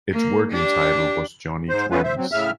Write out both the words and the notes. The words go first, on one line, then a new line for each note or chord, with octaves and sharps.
Its working title was "Johnny Twennies".
A#3
D4 G4
G#2 C5
A3 B3 C#4 F4 B4
C5 E5
F#3 C4
A2 C#3 E5 F6